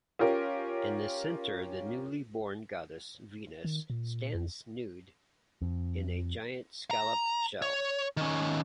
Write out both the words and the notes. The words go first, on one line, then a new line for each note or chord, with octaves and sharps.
In the centre the newly-born goddess Venus stands nude in a giant scallop shell.
C#4 F4 G4 A#4
D#3
A#2
F2
F2
A#5
C#5
D#3 C#4